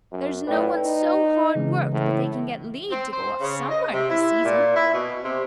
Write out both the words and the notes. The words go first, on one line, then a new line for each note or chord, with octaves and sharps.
There's no one so hard worked but they can get leave to go off somewhere at this season.
F#2
A2 B4 D5 G5
D#4
C#3 E3 G#3
A2
C4
C5
C#3
D#5
C3
E4
A#2
E4
B2
C3